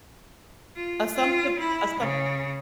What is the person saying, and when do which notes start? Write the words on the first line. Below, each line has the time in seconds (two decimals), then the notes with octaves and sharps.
Assumptive assump
0.76 F4
1.13 F4
1.58 E4
1.99 C#3